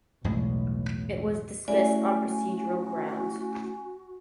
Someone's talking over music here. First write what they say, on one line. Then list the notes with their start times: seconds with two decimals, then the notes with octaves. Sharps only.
It was dismissed on procedural grounds.
0.24 B1 E2 A2 G#3
1.68 A3 C#4 E4 F#4 D5 G#5